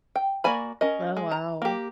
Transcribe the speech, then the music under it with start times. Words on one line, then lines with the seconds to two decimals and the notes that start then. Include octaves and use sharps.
Oh, wow.
0.16 G5
0.44 A#3 F#4 D5 G#5 B5
0.81 C#4 A#4 D#5
1.17 G#3
1.32 A#5
1.62 A#3 G4